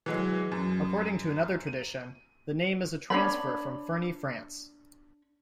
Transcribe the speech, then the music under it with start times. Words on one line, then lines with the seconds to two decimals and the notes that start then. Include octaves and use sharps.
According to another tradition, the name is a transfer from Ferney, France.
0.06 E3 F#3 G#3
0.52 F#2
1.67 D#7
3.10 D4 C#5 B5